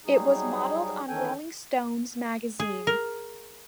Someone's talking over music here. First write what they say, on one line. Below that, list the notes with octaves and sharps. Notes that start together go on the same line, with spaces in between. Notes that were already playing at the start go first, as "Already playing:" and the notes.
It was modeled on "Rolling Stones" magazine.
F#3 G3 D#4 G#4
D#3 E3 C#4 A4 G5 G#5
G#4
A#4